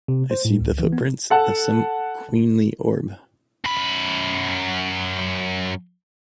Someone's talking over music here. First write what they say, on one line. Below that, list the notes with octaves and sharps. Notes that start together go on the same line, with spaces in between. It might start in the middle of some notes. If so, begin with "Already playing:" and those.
I see the footprints of some queenly orb.
C3
C5
A2
C#2
E3
B3
A4 F#5 A5
F#2 B5